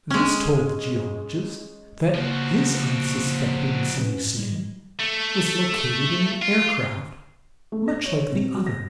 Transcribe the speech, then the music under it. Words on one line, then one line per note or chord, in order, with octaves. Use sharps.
This told the geologist that his unsuspecting Sanusian was located in an aircraft much like the other.
G#3 C#4
C#3 F3 A#3 F#4
C#4 B4
A2 G3 G#3
A3
F4
A3
A#6
C#5
C3
F#3
A#6